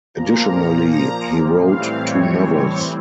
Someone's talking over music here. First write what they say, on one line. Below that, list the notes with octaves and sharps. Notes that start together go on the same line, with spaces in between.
Additionally, he wrote two novels.
A#2 F3 A#3 A#5
A#5
A2 E3 G3 C4 F5
C#5
C#5